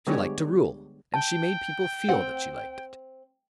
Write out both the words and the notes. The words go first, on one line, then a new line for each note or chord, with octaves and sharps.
She liked to rule, and she made people feel that she liked it.
D3 G3 G#3 B3 G4 C#5
G5 A5
C4 F#5